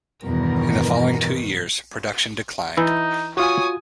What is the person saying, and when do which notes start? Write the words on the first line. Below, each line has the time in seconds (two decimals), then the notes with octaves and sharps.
In the following two years, production declined.
0.23 E2 G2 B2 D#3 A#4
2.77 E3 D#4 E4
3.37 F4 F#4 C#5 G#5 D#6